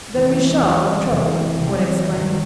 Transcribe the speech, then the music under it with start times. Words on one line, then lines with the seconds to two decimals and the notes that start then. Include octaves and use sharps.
"Then we shall have trouble," one exclaimed.
0.13 E2 C3 E3 G#3
0.31 C4
0.46 G#3
0.62 E2 C3 E3 F#3
0.87 G#3
1.08 A3
1.12 E2 C3 E3 G#3
1.29 G#3
1.46 A3
1.61 E2 C3 E3 C4
2.10 E2 D#3 F#3